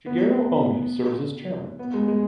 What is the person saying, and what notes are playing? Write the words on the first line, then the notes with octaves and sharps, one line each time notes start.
Shigeru Omi serves as chairman.
B3
B3
G#3
G#3